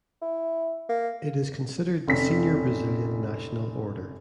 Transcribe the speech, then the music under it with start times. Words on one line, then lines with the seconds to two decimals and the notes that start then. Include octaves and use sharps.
It is considered the senior Brazilian National Order.
0.22 E4
0.89 A#3
2.08 F1 C#4 B6